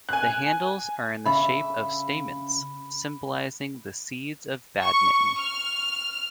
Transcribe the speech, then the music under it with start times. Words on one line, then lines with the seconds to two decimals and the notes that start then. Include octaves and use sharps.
The handles are in the shape of stamens, symbolising the seeds of badminton.
0.09 G#5 F#6
1.25 C#3 E5 B5
4.82 C#6
5.39 F6